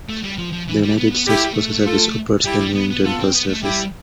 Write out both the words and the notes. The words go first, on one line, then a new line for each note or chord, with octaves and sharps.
The United States Postal Service operates the Newington Post Office.
A3
G3
F3
F3
E3
G3
B3
B3
B3 E4 G4
A3
G3
A3
F4 A4
G3 E4 G4
G3
B3
B3
B3 F4 A4
C4
B3
A3
G3 E4 G4